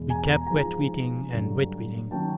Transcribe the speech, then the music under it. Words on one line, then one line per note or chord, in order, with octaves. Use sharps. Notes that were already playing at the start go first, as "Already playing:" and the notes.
We kept wetweating and wetweating.
Already playing: E2 B2 G#3
G#5 A#5
A#5
G#2 F3 G#3 G#5 A#5
G2 D3 F#3 A3
D#3 F#3 A#3 G5 A5